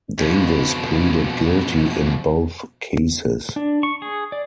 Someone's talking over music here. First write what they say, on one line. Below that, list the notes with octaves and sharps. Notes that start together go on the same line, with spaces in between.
Davis pleaded guilty in both cases.
F2 B2
D4
C#6
G#4
D5